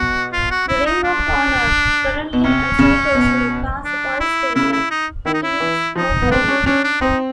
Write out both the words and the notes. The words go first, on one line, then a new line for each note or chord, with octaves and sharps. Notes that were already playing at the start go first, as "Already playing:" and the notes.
The Ring of Honor currently encircles Lucas Oil Stadium, the team's home venue.
Already playing: B2 F#4
F4
F#4
E4
D#4
D4
B2
C3 C#4
C#3
B2
D4
E4
C#3 E4
E4
D#4
D#3 E4
D#4
E4
E3
F3 D#4
B3
C4 D4
C#4
C#4 D4
D4
C4 D#4